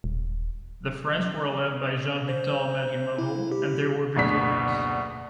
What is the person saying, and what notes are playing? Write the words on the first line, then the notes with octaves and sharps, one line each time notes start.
The French were led by Jean Victor Marie Moreau, and they were victorious.
D#1
C5
E4
G4
F#1 D2 B2 D4 B6